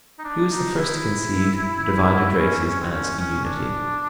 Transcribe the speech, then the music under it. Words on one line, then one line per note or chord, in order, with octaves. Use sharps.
He was the first to conceive the divided races as a unity.
D#4
D4
D#4
E4
C#4
C#4
C4
C#4
C#4
D4